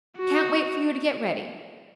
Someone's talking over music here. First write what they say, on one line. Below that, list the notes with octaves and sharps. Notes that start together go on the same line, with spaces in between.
"Can't wait for you to get ready."
F#4